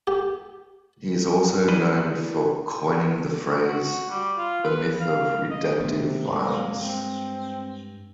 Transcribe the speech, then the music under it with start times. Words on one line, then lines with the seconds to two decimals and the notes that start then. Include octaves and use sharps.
He is also known for coining the phrase "the myth of redemptive violence".
0.07 G4
1.68 E4 B4 D5 G#5 B5 C6
3.67 F#4
4.10 G3
4.37 F4
4.64 B4
5.01 F5
5.51 D#5
5.80 C3 D#3 A3 B3
6.30 G2 G#3 A#3
6.80 C4